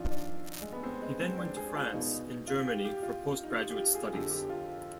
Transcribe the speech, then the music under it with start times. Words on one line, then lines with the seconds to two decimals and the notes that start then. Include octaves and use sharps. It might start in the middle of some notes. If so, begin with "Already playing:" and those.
He then went to France and Germany for postgraduate studies.
Already playing: F2 D#3 D4 F4
0.10 D4
0.62 G#3
0.72 B3
0.83 C4
1.02 G#3
1.20 C4
1.38 D4
1.56 G#4
1.75 F4
1.93 B2 D#4
2.47 F4
2.67 G4
2.85 G4
3.03 F4
3.44 D#4
3.50 F4
3.58 G4
3.70 G4
3.76 F4
3.95 G#4
4.13 F2 D3 F3 G4
4.31 G4
4.49 F4